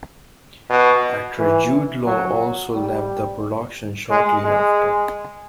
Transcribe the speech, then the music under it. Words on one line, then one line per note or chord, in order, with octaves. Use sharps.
Actor Jude Law also left the production shortly after.
B2
E3
F#3
G3
G#3
G#3